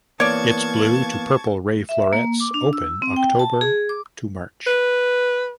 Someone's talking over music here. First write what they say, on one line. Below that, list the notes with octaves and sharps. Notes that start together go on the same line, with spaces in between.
Its blue to purple ray florets open October–March.
E3 A#3 B3 C#5 D5 A5 C#6 G#6
E5
A#3
D6
D4
E6
C4
G5
A5
G#4
D6
B4